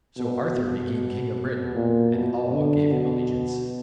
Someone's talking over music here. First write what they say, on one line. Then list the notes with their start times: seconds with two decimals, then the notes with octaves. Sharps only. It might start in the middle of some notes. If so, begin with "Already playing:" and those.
So Arthur became king of Britain, and all gave him allegiance.
0.18 B2
0.57 B2
1.75 A#2
2.14 B2
2.53 D3
2.93 B2